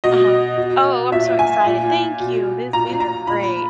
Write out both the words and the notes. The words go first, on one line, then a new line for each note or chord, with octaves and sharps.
Uh-huh. Oh, I'm so excited. Thank you. This these are great.
B2 D#5
B2
A#2 E5
G#5
A#2
B2
A#2 A#5
A#5
A#2 B5